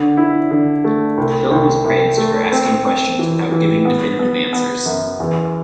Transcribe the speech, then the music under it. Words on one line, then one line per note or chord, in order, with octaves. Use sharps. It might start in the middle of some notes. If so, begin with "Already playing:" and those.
The film was praised for asking questions without giving definitive answers.
Already playing: D3
E4
D3
A3
C2
C2
C2
A3
C4
C4
E3
E3
B3
B3
B3
F#2
E2